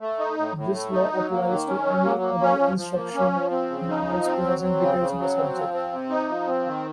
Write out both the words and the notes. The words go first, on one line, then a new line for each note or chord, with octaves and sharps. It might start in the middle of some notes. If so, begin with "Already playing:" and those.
This law also applies to any other instruction manuals possessing details on the subject.
A3
D#4
A2
A2
A3
D#4
F#3
A#3
D#3
C#4
F#3
A#3
A#3
C#4
F3
F3
A#3
C#4
F3
C4
C#3
D#4
F3
C4
F#3
C4
C#3
C#3
F#3
C4
F3
C4
C3
D#4
F3
C4
D#3